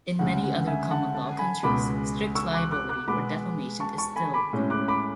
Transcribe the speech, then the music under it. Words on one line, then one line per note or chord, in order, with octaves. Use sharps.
In many other common law countries, strict liability for defamation is still the rule.
D2 C#3 G#3 F#5
F#5
E5 G#5
F#5 A5
F#5 A5
G#5 B5
C#2 B2 G#3 B5 D6
C#6 E6
D6 F#6
D6 F#6
D6 F#6
B2 G#3 B3 B5 D6
A5 C#6
A5 C#6
G#5 B5
B5 D6
A2 G#3 C#4
D6 F#6
B5 D6